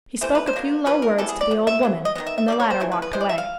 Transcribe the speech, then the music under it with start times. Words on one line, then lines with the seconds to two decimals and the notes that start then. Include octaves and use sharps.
He spoke a few low words to the old woman, and the latter walked away.
0.21 C3 E3 A3 C5
0.35 B4
0.47 C5
0.53 B2 F#3 A#3
0.86 C#3 F3 B4
1.02 A#4
1.18 C3 E3 G3 B3 A4
1.29 G#4
1.41 D5
1.51 C3 F3
1.67 E5
1.83 C#3 F#3
2.05 D#5
2.15 D#3 G3 B3 D#5
2.27 E5
2.38 E5
2.48 D3 G3 A#3 D5
2.60 C#5
2.70 C5
2.80 C#3 E3 A3
2.92 B4
3.02 B4
3.13 C3 E3 G#3 C5
3.21 D5
3.29 E5
3.38 F5